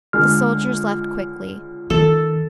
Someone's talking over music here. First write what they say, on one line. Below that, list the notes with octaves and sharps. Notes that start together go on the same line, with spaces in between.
The soldiers left quickly.
C#2 D3 G#3 F6
D#3 A4